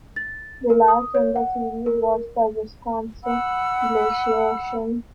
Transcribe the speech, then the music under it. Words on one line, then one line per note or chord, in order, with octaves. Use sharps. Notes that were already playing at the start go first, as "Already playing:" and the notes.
The last in the series was the Wisconsin glaciation.
A6
A#4
D#6
C#5
F#5
A#4
F#5 B5 E6